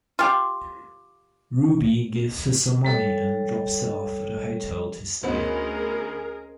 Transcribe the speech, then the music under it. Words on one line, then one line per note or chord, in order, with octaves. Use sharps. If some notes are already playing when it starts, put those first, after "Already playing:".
Ruby gives her some money and drops her off at a hotel to stay.
F4 G4
G3 A4 C#5
D2 B3 C#4 G#4 A#4 C5 D#5